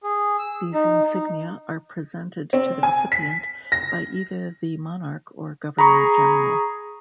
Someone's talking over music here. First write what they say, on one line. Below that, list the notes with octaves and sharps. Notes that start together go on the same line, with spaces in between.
These insignia are presented to the recipient by either the monarch or governor general.
G#4
E6
D#4
D#4
C4
G#5
B6
A#6
G#4 A#5 B5 C#6